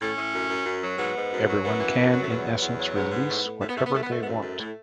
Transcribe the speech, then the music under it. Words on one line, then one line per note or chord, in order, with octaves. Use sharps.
Everyone can, in essence, release whatever they want.
A2 C#4
A2
F#2
F#2
F#2
F#3
G#2 B3
G#2
F#2
F#3
F#2 B3
E3
F#2
F#3
A3
E2 B3
F#3
E2
F#3
G#2 B3
G#2
A2
A2
G#2 A3
B3
G#2 A3
B3
G#2 A3
B3
G#2 A3
B3
F#2 A3
F#2
A2